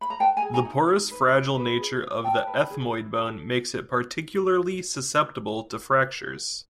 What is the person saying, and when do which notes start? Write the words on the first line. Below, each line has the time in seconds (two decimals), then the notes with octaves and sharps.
The porous fragile nature of the ethmoid bone makes it particularly susceptible to fractures.
0.01 B5
0.10 A#5
0.19 B4 G5 A5
0.37 G#5 A#5
0.42 G#4
0.54 G#5 A#5
0.65 D#4
0.88 D#4
1.11 B4
1.33 G#4
1.57 B4
1.79 G#4
2.02 F4
2.24 F4 G5 A5
2.47 B4
2.70 G#4
2.93 E4
3.15 A4